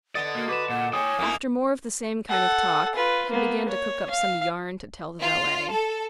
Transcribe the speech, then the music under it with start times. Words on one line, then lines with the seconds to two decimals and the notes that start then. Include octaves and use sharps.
After more of the same kind of talk, he began to cook up some yarn to tell the valet.
0.15 D3 B3 D5 D#5 A6
0.35 A#3 F#4
0.49 B4 D6 E7
0.69 A#2 F#5
0.93 C#5 G5 G#5 D#6
1.19 F2 A#3 D#4 E4
2.29 A4 F#5
2.95 F4 B4
3.30 A#3 B3
3.68 C#5
4.10 F5
5.20 F4
5.70 A4